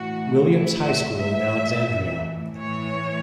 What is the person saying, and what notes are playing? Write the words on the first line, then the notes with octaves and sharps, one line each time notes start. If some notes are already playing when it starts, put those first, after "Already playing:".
Williams High School in Alexandria.
Already playing: A2 E3 F#4
E4
E5
A2 E3 E5
A2 E3 C#5